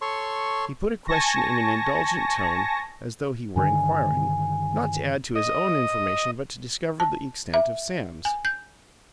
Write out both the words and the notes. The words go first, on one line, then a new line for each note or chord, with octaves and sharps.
He put a question in an indulgent tone, as though he were inquiring, not to add to his own information but to discover the extent of Sam's.
A4 C#5 C6 C#6
G#5 A5 C#6 A#6
G2 D3 D#3 G#5
D#5
A5
E5
G#5
G6